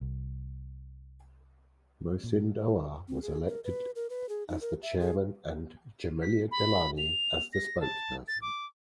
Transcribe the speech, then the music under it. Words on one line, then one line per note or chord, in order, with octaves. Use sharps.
Mohsin Dawar was elected as the chairman and Jamila Gilani as the spokesperson.
C2
A#2
C4
G#4
A#4
B4
A#4
B4
G#4
D#4
A#4
E5
G#4
B6
B5
F7
A#6
A5
A6
D6